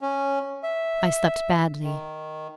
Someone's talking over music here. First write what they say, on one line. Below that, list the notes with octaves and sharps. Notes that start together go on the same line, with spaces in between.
I slept badly.
C#4
E5
D#3